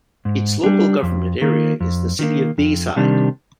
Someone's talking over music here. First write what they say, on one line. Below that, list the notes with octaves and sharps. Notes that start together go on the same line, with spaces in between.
Its local government area is the City of Bayside.
G#2
G3 D4
F2
D#3 A#3
F2
D#3 A#3
F2
C3 D#3 G3 D4